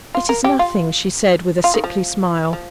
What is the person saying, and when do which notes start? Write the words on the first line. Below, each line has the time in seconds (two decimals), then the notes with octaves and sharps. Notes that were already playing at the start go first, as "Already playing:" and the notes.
'It is nothing,' she said, with a sickly smile.
0.15 F4
0.29 A#4
0.44 G4
0.59 F4
1.64 F4
1.74 D#3
1.84 F3
2.53 F3